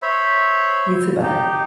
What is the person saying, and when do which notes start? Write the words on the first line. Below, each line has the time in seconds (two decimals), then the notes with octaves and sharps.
You too, bye.
0.02 C5 C#5 E5 B5
1.23 D#4 G4